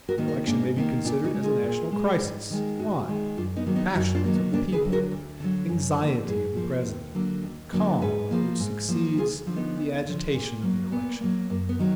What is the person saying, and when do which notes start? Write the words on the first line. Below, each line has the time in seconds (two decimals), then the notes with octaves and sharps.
The Election may be considered as a national crisis--Why?--Passions of the people--Anxiety of the President--Calm which succeeds the agitation of the election.
0.09 F#4 A#4
0.18 D#3 A#3
0.28 F#4 A#4
0.47 G#2 A#3 D4
0.76 D#3 A#3
1.05 A#2 D4 F4
1.24 D#4 F#4
1.34 G#3
1.44 F4 G#4
1.63 A#2
1.92 G#3
2.22 G#2
2.50 D#3 G#3
2.79 G#2 D#4 F#4
3.08 D#3 G#3
3.37 F#2 D4 F4
3.56 B3 D#4
3.66 D#3 F#3 A#3
3.76 B3 D#4
3.95 F#2 D#4 F#4
4.15 D4 F4
4.24 D#3 F#3 A#3
4.34 B3
4.53 D2 A#3 D4
4.72 G#4 B4
4.82 D3 F#3
4.92 F#4 A#4
5.12 D2
5.40 D3 F#3
5.69 F#2
5.98 F3 A#3
6.27 F#2 G#4 B4
6.57 F3 A#3
6.86 D#2
7.15 D3 F#3 A#3
7.44 D#2
7.73 D3 F#3 A#3
8.01 G#2 G#4 B4
8.31 F3 A#3
8.60 G#2
8.89 F3 A#3
9.17 D2 F4 G#4
9.47 D3 F3
9.56 B3 D#4
9.76 D2
10.05 D3 F3
10.34 A#2
10.63 F#3 A#3
10.91 A#2 B3
11.21 F#3 A#3
11.50 F#2 A#3
11.69 B3
11.79 D#3 F#3